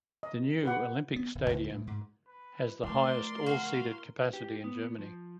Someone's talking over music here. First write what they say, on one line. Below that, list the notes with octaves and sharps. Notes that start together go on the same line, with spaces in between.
The new Olympic Stadium has the highest all-seated capacity in Germany.
D#5
G4 B4 F#5
B3
D1
C#2
A2
G#2
B4
F3 A3 A#4 D5 C6
F#4 F5
G4
B3
F3